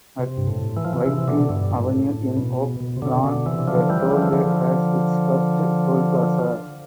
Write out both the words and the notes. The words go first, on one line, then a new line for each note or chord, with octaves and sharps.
At Wycliff Avenue in Oak Lawn the Tollway has its first toll plaza.
C3
G2
A2
E3
F3
C3 E3
C3 E3
B2 D3
G2
A2
A2
B2
B2
C3
B2 D3
B2 D3
C3 E3
D3 F3
E3 G3
D3 F3
E3
D3 F3